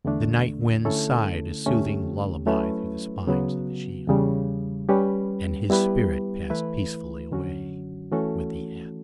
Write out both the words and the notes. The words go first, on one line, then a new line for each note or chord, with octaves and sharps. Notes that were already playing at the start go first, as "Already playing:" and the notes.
The night wind sighed a soothing lullaby through the spines of the she-oak, and his spirit passed peacefully away with the ebb.
E2 D3 A3 D4
D3 A3 C#4 E4 A4
E2 D3 A3 C#4 G4
F#3 A3 C#4 E4 B4
C#3 F#3 B3 F#4
E2 C#3 G3
G3 C#4 G4 B4
G3 B3 E4 G4 B4
E3 A3 E4 B4
F#2 D3 F#3 C#4 F#4
E3 A3 C#4 F#4 A4